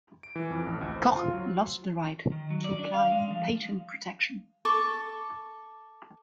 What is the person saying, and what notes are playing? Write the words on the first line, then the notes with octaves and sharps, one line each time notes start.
Koch lost the right to apply for patent protection.
D7
E3
F2
A1
D2
C5
F4
F#3
D#3
F#3
D5
D4
F5
G#3
F3
A4 C#6 D6